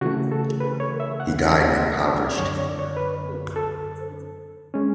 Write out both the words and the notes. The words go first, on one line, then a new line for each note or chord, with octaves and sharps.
He died impoverished.
C#3 E3 A3 F#4
A4
B4
C#5
E5
F#5
E5
F#5
E5
D5
F#5
E5
F#5
E5
D5
F#2 D3 F#3 C#5
D5
C#5
D5
C#5
B4
A4
G#3 C#4